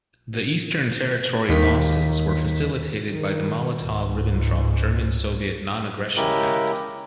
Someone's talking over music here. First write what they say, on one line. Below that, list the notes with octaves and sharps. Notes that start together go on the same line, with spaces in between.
The eastern territory losses were facilitated by the Molotov-Ribbentrop German-Soviet non-aggression pact.
D#2 D#3 B6
D#3
C#2 G#2
C#3 G#3 E4 G4 A#4